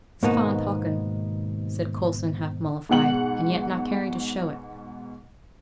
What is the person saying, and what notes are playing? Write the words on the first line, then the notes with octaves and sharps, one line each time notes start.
'It's fine talking,' said Coulson, half mollified, and yet not caring to show it.
G#2 B2 D#3 A#3 B3 D#4
G#2 B2 F#5 F#7